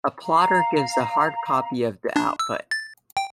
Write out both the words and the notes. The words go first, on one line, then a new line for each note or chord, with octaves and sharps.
A plotter gives a hard copy of the output.
F5 A#5
D4
E6
A6
G5